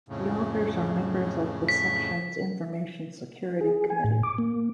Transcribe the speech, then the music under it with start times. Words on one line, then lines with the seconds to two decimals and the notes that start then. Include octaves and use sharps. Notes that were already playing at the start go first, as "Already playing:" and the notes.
The authors are members of the Section's Information Security Committee.
0.09 F2 A2 C#3
1.69 B6
3.61 G#4
3.90 G#5
4.04 A2
4.23 D6
4.38 A#3